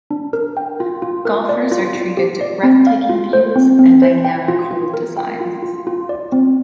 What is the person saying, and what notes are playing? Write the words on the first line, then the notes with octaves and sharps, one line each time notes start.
Golfers are treated to breathtaking views and dynamic hole designs.
D4
A#4
G5
F4
F4
A#4
D5
F4
F4
G4
D5
C4
F5
F4
C5
C4
C4
C5
G5
F4
F4
A#4
G5
F4
F4
F4
D5
C4